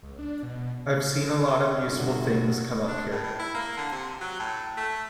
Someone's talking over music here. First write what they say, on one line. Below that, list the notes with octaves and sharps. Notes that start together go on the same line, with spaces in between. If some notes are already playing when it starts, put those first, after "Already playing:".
I've seen a lot of useful things come up here.
C#2
D4
B2
G1 B2 F#4
D4
A2
A2
E4
A#3
D3
C3
F#3
A2
A3